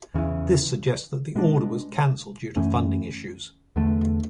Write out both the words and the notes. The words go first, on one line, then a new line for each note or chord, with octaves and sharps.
This suggests that the order was cancelled due to funding issues.
E2 C#3 E3
B2 G#3 D4
F#2 E3 A3 C#4
E2 D3 A3